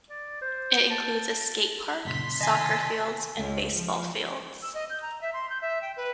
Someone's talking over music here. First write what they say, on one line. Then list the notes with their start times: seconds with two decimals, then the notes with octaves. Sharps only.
It includes a skate park, soccer fields, and baseball fields.
0.10 D5
0.42 C5
0.90 A5
2.05 F#2 A#2 C#3 C6 B6
2.41 C3 D#3 D#5 G#5 A5
3.37 C#2
3.74 F3
4.62 E6
4.74 D#5
4.90 G6
5.02 A#5
5.21 E5
5.33 C6
5.50 G6
5.61 E5
5.82 G5
5.97 B4